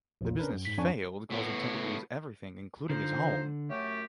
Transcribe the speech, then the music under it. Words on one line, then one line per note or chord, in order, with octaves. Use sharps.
The business failed causing Temple to lose everything, including his home.
A#1 E2 A#2
C#4 D4 A#4 B4
F#2
G#2 B6
F2 C#4 D4 G#5 C#6
A2 B3
D3 F3 D#4 C5
F#2 A3 G4